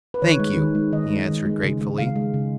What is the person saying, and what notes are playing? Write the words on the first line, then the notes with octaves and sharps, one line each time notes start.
"Thank you," he answered gratefully.
B4
D#3 C#5
G#3
D#3
G#3
D#3 D#5
G#3
D#3
G#3
C#3
G#3
C#3 F5
G#3
C#3